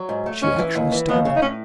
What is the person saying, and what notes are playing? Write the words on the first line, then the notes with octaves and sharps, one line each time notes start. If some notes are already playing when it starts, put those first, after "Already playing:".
She actually started.
Already playing: F#3
G#2
A3
G#2 C#4
E3
D#2
E3
D#2 B3
C#3
D#4
A2 C#4